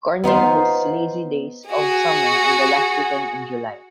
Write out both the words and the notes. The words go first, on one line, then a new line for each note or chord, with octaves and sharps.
Corning hosts Lazy Days of Summer on the last weekend in July.
B3 D#4 F4 C5
F#4 G#4